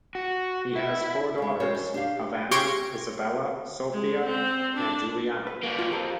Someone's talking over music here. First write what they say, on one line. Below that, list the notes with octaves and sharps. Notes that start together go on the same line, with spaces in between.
He has four daughters, Havana, Isabella, Sophia and Juliana.
F#4
E4
G#3 D4
G#3 C4 F#4 A#4 C#5
F#2
D4 G4 F5
G4 C6 C#6 G#6 A#6 D7
G#3
C4
D4
B4
A#3 F#4
F4
F2 G4 A4 A#4